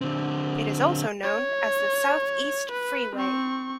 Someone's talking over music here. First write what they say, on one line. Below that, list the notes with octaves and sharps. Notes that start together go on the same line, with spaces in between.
It is also known as the Southeast Freeway.
D3 C4
C#5
B4
C4 C#6